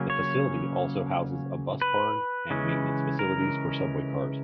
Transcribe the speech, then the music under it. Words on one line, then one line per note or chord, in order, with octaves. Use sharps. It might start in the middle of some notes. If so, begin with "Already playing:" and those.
The facility also houses a bus barn and maintenance facilities for subway cars.
Already playing: C#3 F#3 A#3 C#4
C#5
B4
C#3 E3 G#3 C#4
A#4